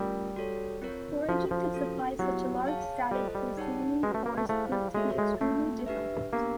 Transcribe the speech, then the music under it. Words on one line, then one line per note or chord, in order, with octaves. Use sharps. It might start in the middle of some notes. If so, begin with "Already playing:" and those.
Foraging to supply such a large static besieging force proved to be extremely difficult.
Already playing: G3 A3 C#4 F4 A#4
F#4 A4 C#5
C4 F4 A#4 C#5
F3 C#4 F#4 A4
F3
C#4 F#4 A4
F#3 B3 E4 G4
G#4 C#5 F5 A5
G3 F4 A4 C5 D#5
G3
D#4 G#4 C#5 F#5 A5
G#3 C#4 F#4 B4
A3
A#3
A3
A3 E4 G#4 C5 F5
G3
G#3 F#4 A4 C#5 E5
G#3
A3 A#3 C#4 F4
D4 G4 B4 E5
A#3 B3 D4 G4 A#4